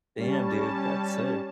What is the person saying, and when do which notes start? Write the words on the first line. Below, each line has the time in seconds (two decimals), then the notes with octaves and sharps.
Damn, dude, that's sick.
0.16 G3 C#4 A5